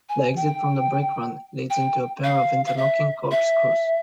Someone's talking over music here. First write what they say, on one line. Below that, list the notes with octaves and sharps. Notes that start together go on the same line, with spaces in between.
The exit from the brake run leads into a pair of interlocking corkscrews.
G#5
G5
G5
F5
F5
E5
E5